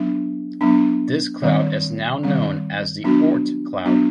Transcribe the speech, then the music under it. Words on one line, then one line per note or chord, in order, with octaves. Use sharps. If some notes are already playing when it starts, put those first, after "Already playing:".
This cloud is now known as the Oort Cloud.
Already playing: F#3 B3 D4
F#3 B3 D4
D#3 G3 C4
D#3 G3 C4
F#3 B3 D4 F#4
F#3 B3 D4 F#4